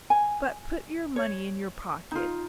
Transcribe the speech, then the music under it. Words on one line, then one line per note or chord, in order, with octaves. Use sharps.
But put your money in your pocket.
G#5
C#5
D#4 F4